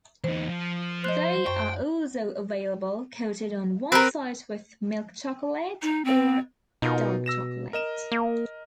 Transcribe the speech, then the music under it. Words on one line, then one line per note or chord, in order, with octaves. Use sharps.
They are also available coated on one side with milk chocolate or dark chocolate.
E2 D#4 C5
F3
C5 D#5 F#6
F#2 G5 C#6
C4 A#4 B4
D#4
C4
B2 D#4 F4 A#4
E6 A#6 E7
A#4 D#5 E7
A#3